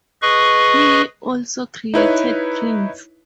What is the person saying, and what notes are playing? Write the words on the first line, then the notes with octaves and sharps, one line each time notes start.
He also created prints.
G#4 B4 D#5 C#6
D#4 E4 B4 C#5